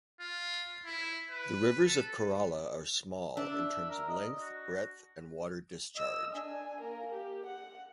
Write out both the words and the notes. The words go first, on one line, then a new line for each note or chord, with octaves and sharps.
The rivers of Kerala are small, in terms of length, breadth and water discharge.
F4
E4
B4
A4
D4 E5
A#4
D#5
F#4
D#5 E6
D4 G#5
A#3 A#4
G4
F#5